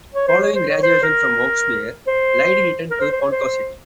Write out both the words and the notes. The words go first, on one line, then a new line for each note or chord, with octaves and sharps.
Following graduation from Oaksmere, Lydie returned to Ponca City.
C#5
C5
C#5
C5
C#5
C5
A#4
C5
A#4
C5
C5
C#5
C5